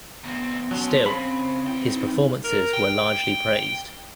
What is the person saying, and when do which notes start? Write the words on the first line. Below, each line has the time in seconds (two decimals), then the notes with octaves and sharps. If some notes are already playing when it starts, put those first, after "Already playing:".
Still, his performances were largely praised.
0.24 D2 B3 C4
0.71 F#3 C#4 A5 C6
1.06 C#3 C4 C5 B5
1.66 E2 E4 G5
1.93 D#4
2.44 A#4
2.73 G5